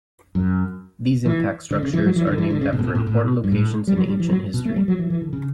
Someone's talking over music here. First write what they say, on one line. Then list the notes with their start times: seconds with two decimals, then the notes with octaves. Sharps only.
These impact structures are named after important locations in ancient history.
0.35 F#2
1.26 E3
1.71 D3
1.83 C#3
1.94 E3
2.05 F#3
2.16 E3
2.27 D3
2.38 E3
2.50 D3
2.61 C#3
2.73 B2
2.79 A2
2.84 B2
2.95 A2
3.07 A2
3.44 G2
3.52 A2
3.87 G3
3.97 F#3
4.08 G3
4.20 E3
4.31 F#3
4.54 B2
4.65 A3
4.76 G3
4.88 F#3
4.99 E3
5.10 E3
5.22 D3
5.33 C#3